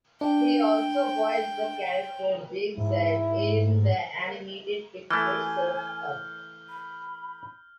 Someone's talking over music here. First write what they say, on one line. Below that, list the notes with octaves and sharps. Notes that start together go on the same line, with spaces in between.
He also voiced the character Big Z in the animated picture "Surf's Up".
D4 G5
G#2 E4
E3 A3 G#5 F6 G6
B5